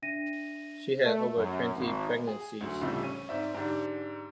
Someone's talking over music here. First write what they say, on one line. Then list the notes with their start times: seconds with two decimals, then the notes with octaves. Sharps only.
She had over twenty pregnancies.
0.02 D4 E5 A#6 D#7
1.04 A3
1.36 F#2
1.75 G#1
2.27 G#4
2.61 D2 F#3
2.81 C2 A2 C#3 F3 G3 A3
3.03 C#4 D#7
3.29 G#2 C4 D5 E5
3.54 G#2 D3 D4 G4